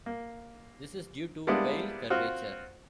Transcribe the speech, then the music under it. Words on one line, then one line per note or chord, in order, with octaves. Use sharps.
This is due to Weyl curvature.
A#3
G3 G#3 A#3 B3 D4 E4
C4 F4 F#4